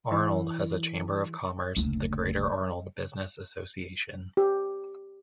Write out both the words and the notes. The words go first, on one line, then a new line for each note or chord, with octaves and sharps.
Arnold has a chamber of commerce, the Greater Arnold Business Association.
E3
F#1 D2
G4